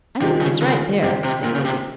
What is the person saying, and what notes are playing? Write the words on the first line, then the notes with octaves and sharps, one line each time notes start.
"I think he's right there," said Roby.
C3 D#3 G3 C#4 F4 G#4
C#3
C#3
C3
C3
A#2
C#3
C3